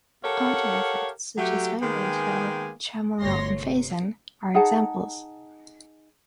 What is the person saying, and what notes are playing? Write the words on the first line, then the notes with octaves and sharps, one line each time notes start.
Audio effects such as vibrato, tremolo and phasing are examples.
G4 A4 A#4 C#5 F5 F#5
F#3 A3 G4
D#3 G#3 A#3 B3 G5 G#5
G1 D2 C#5 C6 A#6
C3
D#4 G#4 F#5 A5